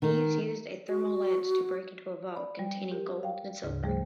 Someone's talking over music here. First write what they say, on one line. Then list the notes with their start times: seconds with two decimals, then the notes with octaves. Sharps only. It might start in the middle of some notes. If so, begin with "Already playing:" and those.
Thieves used a thermal lance to break into a vault containing gold and silver.
0.02 D#3
0.88 F#4
2.35 D5 B5
2.59 G3
2.91 G4 A#4
3.23 F5 G5
3.64 D2 G#2 C#3
3.83 F3 G3 A3 G#4 C5